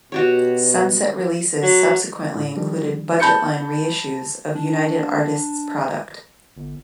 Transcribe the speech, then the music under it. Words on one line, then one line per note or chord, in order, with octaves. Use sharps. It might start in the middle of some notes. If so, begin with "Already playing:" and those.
Sunset releases subsequently included budget-line reissues of United Artists product.
B2 F#4 G4 C#5
F#3
A2
D#3 F3 G3 A3 D4
A5 B5 G6 C#7
D4
G1